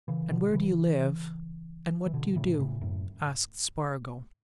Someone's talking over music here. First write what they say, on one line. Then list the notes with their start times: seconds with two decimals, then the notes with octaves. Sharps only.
"And where do you live, and what do you do?" asked Spargo.
0.08 C#3 E3
0.31 B2 D3
0.53 C#3 E3
2.06 E3
2.14 B2 D3
2.36 A2 C#3
2.59 A2 C#3
2.81 F#2 A2